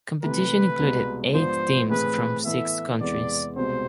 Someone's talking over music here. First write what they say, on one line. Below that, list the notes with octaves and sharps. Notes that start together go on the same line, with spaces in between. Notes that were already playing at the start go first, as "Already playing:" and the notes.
Competition included eight teams from six countries.
C3 E3 A3 B4
C2 B2 G#3
G#2 F3 B3 D4 C5
A2 E3 A3 C4 G#4 B4
E3 B3 E4 A4 E5
E2 C3 E3 G#3 D5
C2 B2 G#3 C4 C5